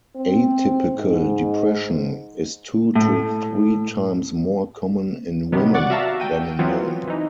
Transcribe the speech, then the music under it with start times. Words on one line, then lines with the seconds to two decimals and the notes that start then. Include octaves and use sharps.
Atypical depression is two to three times more common in women than in men.
0.16 C4
0.96 G#2
2.95 A2
5.52 C3 D#3 F#3 B3
5.74 D5 F#5 C#6 A6
5.90 F#4 E5 F5 A5 A#5
6.20 G5 D#7
6.59 E3 F#3 B3 C4 F4
7.07 E3 D#4